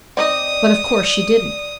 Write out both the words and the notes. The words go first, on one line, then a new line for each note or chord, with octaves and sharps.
But of course she didn't.
C4 D#4 D5 D#5 D#6